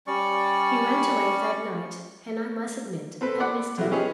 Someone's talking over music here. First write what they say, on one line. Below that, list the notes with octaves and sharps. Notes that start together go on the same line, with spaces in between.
He went away that night, and I must admit I missed him.
G3 C#4 D5 C#6
C4 A4 B4
D5 F#5 B5 D6
B1 F#3 G3 E4
F3 C#4 G4 G#4 B4 D#5